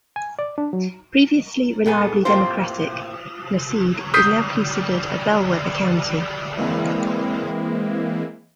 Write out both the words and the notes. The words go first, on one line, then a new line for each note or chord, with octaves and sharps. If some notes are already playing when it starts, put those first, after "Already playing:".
Previously reliably Democratic, Merced is now considered a bellwether county.
G#5
D5
D4
F#3
A#2 B3 G#4 A4
A2 A#3 C4 F4 G4 C5
D#6 G6 B6 C7
E3 G#3 A#3 C4 E4